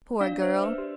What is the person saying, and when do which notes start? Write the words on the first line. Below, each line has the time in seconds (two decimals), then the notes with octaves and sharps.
Poor girl!
0.21 D4 D5 F5
0.42 C5 E5
0.49 D4
0.64 B4 D5
0.78 G4